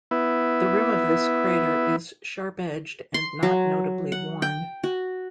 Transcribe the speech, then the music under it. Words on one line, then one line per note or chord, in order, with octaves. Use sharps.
The rim of this crater is sharp-edged and not notably worn.
B3 E4
C6
F#3
F#5
G5
F#4